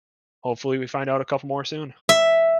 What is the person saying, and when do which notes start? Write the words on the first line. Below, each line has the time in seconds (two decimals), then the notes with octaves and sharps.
hopefully, we find out a couple more soon.
2.09 E5